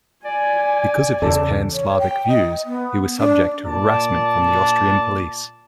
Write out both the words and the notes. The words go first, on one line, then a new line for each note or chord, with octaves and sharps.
Because of his Pan-Slavic views, he was subject to harassment from the Austrian police.
D5 G#5
E2 C#3 A4 D5 A5
C#5
G5
D#5
B3
D4
A#2 D5 A5